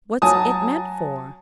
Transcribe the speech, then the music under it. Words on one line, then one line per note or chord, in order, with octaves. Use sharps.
'What's it meant for?'
F#3 G#5 A5 D#6